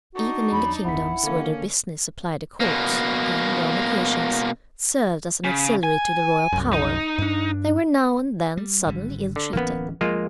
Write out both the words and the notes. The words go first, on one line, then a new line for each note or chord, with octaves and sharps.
Even in the kingdoms where their business supplied the courts, and, on occasions, served as an auxiliary to the royal power, they were now and then suddenly ill-treated.
D4 D#4 F#4
E2 F#3 B5
G1 E2 E4 F#5 B6
D3 A#3 C#4
B2 A#3
C#3
G#5
C2 F#2
D#4
G2 D4
G3
G#1 D3 G3
D3
D1 E3 A#3 B3 C#4
D2 F3 G#3 A#3 F4